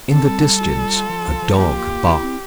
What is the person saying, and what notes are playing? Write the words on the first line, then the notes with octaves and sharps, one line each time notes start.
In the distance a dog barked.
C4 A4
G3
G3
F4
G3
F4
F3
F4
F3
A#3 G4
F4
A#3
E4
C4